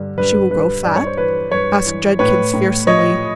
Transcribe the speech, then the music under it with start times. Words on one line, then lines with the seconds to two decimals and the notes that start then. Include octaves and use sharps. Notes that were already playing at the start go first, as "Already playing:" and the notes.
"She will grow fat?" asked Judkins, fearsomely.
Already playing: G2 D3
0.18 G2 B4
0.51 G2 B4
0.84 G2 D5
0.96 C#5
1.07 C5
1.17 E3 B4 C#5
1.52 G2 B4 C#5
1.86 E3
2.19 A2 B4 C#5
2.53 A2
2.87 F3 C#5 D#5